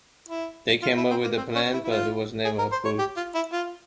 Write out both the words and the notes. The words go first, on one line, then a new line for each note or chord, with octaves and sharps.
They came up with a plan but it was never approved.
E4
F4
E4
C4
A#3
C4
C#4
E4
E4
F4
G#4
A#4
C5
C#5
G4
F4
E4
F4